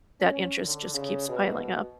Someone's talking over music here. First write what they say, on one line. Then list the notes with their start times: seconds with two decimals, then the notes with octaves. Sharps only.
that interest, just, keeps piling up.
0.20 C#4
0.63 D3
0.94 C#3
1.28 B2